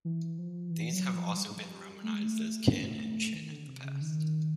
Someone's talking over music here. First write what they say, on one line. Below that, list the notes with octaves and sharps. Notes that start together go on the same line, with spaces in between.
These have also been romanized as Kin and Chin in the past.
E3
F3
E3
F#3
F3
G3
A3
G#3
A3
D#3
D3
C3
C#3
D#3